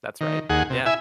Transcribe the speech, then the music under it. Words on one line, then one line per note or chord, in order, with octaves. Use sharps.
That's right. Yeah.
D#3
D#2 G#4 F#5
C3
E4 E5 G#5